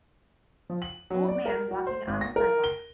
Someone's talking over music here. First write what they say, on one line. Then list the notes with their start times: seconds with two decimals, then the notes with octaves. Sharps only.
Old man walking on the sidewalk.
0.70 F3
0.82 F#7
1.10 F#3
1.28 D5
1.46 A#4
1.71 F#4
1.87 C5
2.07 G#1
2.21 A#6
2.36 A#4
2.64 G7